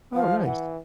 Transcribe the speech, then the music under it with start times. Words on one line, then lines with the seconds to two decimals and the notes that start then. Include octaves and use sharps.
Oh, nice.
0.14 F3 F5
0.45 E3 F#5